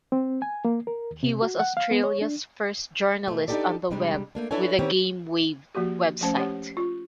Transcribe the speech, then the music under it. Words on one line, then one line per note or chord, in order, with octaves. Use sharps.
He was Australia's first journalist on the web with the GameWave website.
C4
G#5
A#3
A#4
D#2
C3
F#4
F#5
F5
B3
C#5
D4
B2 A3
D4 D#4 F4 G4 A4 D5
C3 G3 G#3 D4
A3 A#3 D4
D4 E4 A4 B4 C#5 G#5
D#3 B3 C4 E4 G4 C#5
F3 A#3 F#4 G4
F3 A3 C#4 C5
G4 C#5 F#5
F4